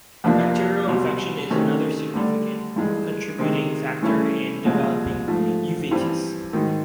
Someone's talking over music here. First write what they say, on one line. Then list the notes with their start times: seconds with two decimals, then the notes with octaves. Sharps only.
Bacterial infection is another significant contributing factor in developing uveitis.
0.24 F2 C3 F3 A#3 D4
0.87 C2 B2 F#3
1.50 C3 D#3 F#3 A3 C#4
2.13 D2 D3 G3
2.76 G2 E3 G#3
3.39 C3 D#3 G#3
4.02 G2 E3 A3 C#4 E4
4.65 C2 A#2 F3 G#3
5.28 G#2 F3 A3
5.91 G2 E3 G3 C4
6.53 G#2 D#3 F#3